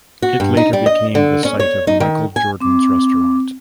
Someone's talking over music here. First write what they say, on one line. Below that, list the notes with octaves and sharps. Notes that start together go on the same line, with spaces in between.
It later became the site of Michael Jordan's Restaurant.
F#4
G2
D#4
G3
D#5
D3
C#4
C#5
D#4
D#3
G#5
C4 D6